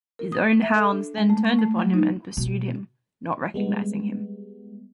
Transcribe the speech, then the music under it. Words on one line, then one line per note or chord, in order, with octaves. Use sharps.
His own hounds then turned upon him and pursued him, not recognizing him.
A#4
D#6
E5
A4
D4
G#3
A3
C#6
A3
F#3
D#4
B2
G3 G#3 B3